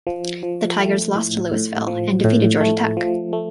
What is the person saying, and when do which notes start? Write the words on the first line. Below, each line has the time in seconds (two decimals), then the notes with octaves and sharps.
The Tigers lost to Louisville and defeated Georgia Tech.
0.07 F3
0.43 F3
0.79 A3
1.16 A2
1.52 A2
1.88 F3
2.24 A2
2.60 A3
2.97 F3
3.33 A3